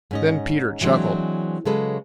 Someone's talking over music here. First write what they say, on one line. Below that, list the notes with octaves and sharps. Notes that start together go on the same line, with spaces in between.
Then Peter chuckled.
G#2 C#4 D#5
E3 F#3 G#3 C4 D4
C#3 F#3 G#3 A4 B4